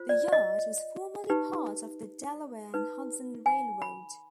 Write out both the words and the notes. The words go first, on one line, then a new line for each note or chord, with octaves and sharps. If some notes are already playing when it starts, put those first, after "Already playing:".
The yard was formerly part of the Delaware and Hudson Railroad.
Already playing: F4 C5
D5
D#5
D#4 G4 B4
D#4 B4
G#5
B5